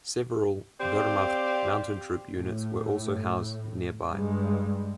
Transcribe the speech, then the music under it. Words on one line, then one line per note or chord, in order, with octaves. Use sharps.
Several Wehrmacht mountain troop units were also housed nearby.
C4 G4 D5 F5
A2
G2 G#3